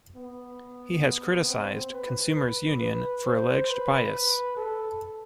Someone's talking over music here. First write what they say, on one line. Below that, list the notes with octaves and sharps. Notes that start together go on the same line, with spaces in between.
He has criticized Consumers Union for alleged bias.
B3
C4
B4
B4
B4
C5
B4
A4